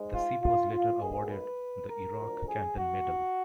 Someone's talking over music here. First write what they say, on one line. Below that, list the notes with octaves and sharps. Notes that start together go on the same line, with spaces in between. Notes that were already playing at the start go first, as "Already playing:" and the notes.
The ship was later awarded the Iraq Campaign Medal.
Already playing: G#2 G#3
F4
F4
F4
B1 B2 A#3 G#4
B4
A#4
D2 D3 F3
G#4
F#4